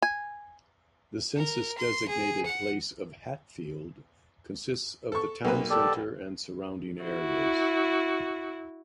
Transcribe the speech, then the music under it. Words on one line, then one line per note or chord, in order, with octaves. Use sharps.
The census-designated place of Hatfield consists of the town center and surrounding areas.
G#5
A#4
C6
G#4
F#5
A4 C#6
B1 A#3 B4
G4 A4 D5
E4 F#4